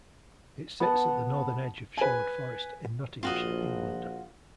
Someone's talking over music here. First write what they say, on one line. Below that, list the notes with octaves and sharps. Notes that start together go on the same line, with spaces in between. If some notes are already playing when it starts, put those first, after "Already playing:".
It sits at the northern edge of Sherwood Forest, in Nottinghamshire, England.
B3 F#5 A5
B4 G#5
A#1 F4 F#4 D#5